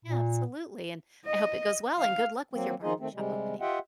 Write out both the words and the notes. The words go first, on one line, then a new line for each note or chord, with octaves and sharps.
Yeah, absolutely, and I hope it goes well and good luck with your barbershop opening.
A#2
D#5
F5
F#3 A#3 C4
D#3 F3 D#4 F4 G#4 D#5
D#3 A3 C4
C3 G3 G#3
F4 G4 D#5 E5 F#5 G5